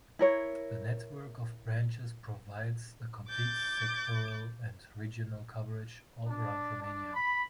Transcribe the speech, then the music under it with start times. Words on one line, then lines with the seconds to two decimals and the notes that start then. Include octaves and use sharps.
The network of branches provides a complete sectoral and regional coverage, all around Romania.
0.19 E4 A#4 C#5
3.27 D6 G6 A6
6.27 D4
6.80 D4
7.13 B5